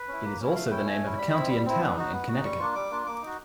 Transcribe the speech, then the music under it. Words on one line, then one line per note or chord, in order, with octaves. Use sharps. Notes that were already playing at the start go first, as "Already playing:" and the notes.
It is also the name of a county and town in Connecticut.
Already playing: B4
C#4 E4
A#3
C#4 E4
A3 F5
C#4 E4 G5
A3 G#5
C#4 E4
G3 B5
C4 E4
G3
C4 E4
B3
D#4 F#4
B3
D#4 F#4
G3 C#6
A#3 D4 F4
G3 D6
A#3 D4 F4
A#3 D6
D#4 F#4